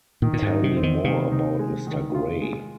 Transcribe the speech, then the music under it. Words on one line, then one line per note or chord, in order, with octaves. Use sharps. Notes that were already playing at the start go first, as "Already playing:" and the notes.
Tell me more about Mr. Gray.
A#2 D#3
A#2
G#2
D#4
C3
C4
D#3
C3 D#3
D#4
G#3
D#3
F4
G#3